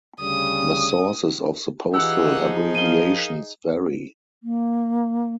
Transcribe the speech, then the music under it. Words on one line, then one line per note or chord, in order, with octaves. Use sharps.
The sources of the postal abbreviations vary.
D2 C#3 G3 D#6
E3 D#4 F4 G4 G#4 F#5 E6
F3
A#4 D#5 F5 D#7 G7
A#3